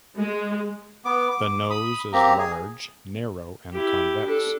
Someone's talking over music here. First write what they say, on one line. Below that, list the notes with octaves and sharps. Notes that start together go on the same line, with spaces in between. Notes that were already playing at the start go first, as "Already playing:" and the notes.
The nose is large, narrow and convex.
G#3
B3 D6
D6
B5 D#6
A#3 C4 G4 A#5
G#4
E4 G4
D4 A4